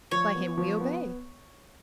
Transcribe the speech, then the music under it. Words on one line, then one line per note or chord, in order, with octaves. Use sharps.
"By him we obey."
F3 C#5
B3
F3
B3